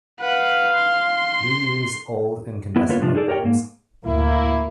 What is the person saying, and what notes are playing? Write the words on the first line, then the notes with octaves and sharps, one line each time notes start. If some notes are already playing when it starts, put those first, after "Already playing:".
We use old incandescent light bulbs.
B4 F5 F#5
C6
B3 E4
D3 A#3 B3 F4 B4 C#5
A2 C3 F3 D4 F4
D#4 G#4 A4 D5
G4 A#4 C#5 D5 G5
G#2 A#3
D2 A2 A#3 E4